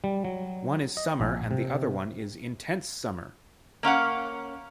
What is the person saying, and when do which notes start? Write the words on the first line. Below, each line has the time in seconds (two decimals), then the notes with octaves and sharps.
One is summer and the other one is intense summer!!
0.04 G3
0.24 F#3
0.97 D#5
1.20 A#1
1.51 C3
3.83 A#3 C#4 F5 F#5